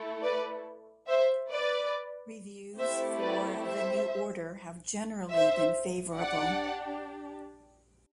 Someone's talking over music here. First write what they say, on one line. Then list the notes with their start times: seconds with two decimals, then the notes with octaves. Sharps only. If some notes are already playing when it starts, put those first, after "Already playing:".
Reviews for "The New Order" have generally been favorable.
Already playing: A3 E4 A4
0.23 B4 D5
1.08 C5 E5
1.50 B4 D5
2.78 A3 C4 E4 G4 C5 E5
3.20 B4 D5
3.63 C5 E5
5.32 C5 E5
6.17 D4 G4 D5 F#5